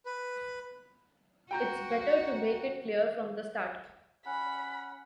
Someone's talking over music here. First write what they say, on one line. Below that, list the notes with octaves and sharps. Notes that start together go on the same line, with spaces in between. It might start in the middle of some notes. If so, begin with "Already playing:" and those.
It's better to make it clear from the start.
B4
F#4 G5 A#5 G6
C#4 F#5 B5